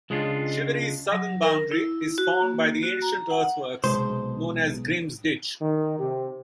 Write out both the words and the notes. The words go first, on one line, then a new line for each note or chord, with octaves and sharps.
Chivery's southern boundary is formed by the ancient earthworks known as Grim's Ditch.
C#2 G#3 C#4 D4 F4
F#3
A#4
E4
F#4
A#3
F#4
A#5
F#5
B1 C3 G#3 C5
D#3
C3